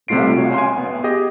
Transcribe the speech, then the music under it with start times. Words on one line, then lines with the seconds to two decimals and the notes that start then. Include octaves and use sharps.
Oh, wow, wow.
0.08 C3 G3 A3 F4 C7 D7
0.37 F#4 C#5
0.54 G#5 C6
0.78 B3
1.04 G4 G#4 D#5